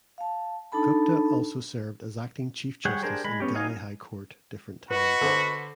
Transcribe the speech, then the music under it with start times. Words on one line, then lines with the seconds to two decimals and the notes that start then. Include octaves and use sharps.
Gupta also served as acting Chief Justice in Delhi High Court different times.
0.18 F5 A5
0.72 D4 D#4 A4 A5 B5
2.85 G3 G#4 C#5 F#5 G5
3.03 D4 G4 G#4 A#4 C5
3.24 G#3 B5
3.40 B3 C#4 G4
3.54 F#3 D#4 D#5 F5 G#5
4.91 F#4 B4 D#5 B5
5.21 D3 C5